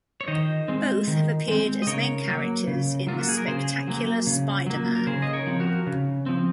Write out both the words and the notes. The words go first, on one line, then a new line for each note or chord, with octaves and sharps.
Both have appeared as main characters in "The Spectacular Spider-Man".
C#5
D#3 C5 D#5
G#3 C4
D#3
G#3 C4
D#5
C#3 A#4 C#5
F#3 A#3
C#3
F#3 A#3 F4
F#4
G#4
A#4
C#3 G#4 C5
F#3 A#3
C#3
F#3 A#3
A#4
C#3 G#4 C5
D#5
A#4 C#5
F3 C4
F#4 A#4
C#3
F3 C4